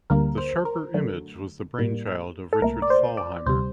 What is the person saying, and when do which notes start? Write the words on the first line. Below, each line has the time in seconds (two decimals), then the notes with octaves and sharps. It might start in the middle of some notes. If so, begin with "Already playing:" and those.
The Sharper Image was the brainchild of Richard Thalheimer.
0.10 D2 D3 G3 A#3 A#4
0.38 C5
0.65 A#4
0.94 F#2 D3 F#3 A3
1.79 A2 G3 A#3
2.53 A4
2.61 C2 A#2 A3 A#4
2.82 D5
2.90 C5
3.17 D5
3.46 D2 C3 G3 C5